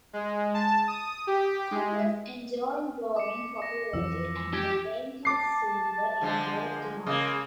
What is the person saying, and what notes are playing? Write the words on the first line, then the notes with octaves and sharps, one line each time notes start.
Cook was enjoying growing popularity and her paintings soon were in great demand.
G#3
A5
D#6
G4
G#3
D6 C#7
A#6
F2 E3 F3 E6
G4 D6 G#6 D7
A5 D6 C7
D3 F3 G#3
C#3 G#3 A#3 D6